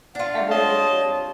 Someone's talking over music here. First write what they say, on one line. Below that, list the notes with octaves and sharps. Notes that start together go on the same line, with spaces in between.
everything is
D4 F4 F#5
C4 C#5 D#5 A5